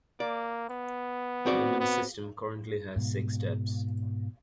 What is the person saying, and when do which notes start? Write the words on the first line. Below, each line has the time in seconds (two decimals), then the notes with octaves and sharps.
The women's system currently has six steps.
0.20 A#3 D5
0.69 B3
1.46 C4 F#4 D5
1.80 B3
2.96 G#2 B2